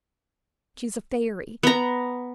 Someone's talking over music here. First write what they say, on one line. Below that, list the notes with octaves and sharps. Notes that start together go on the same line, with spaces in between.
She's a fairy.
B3 A#5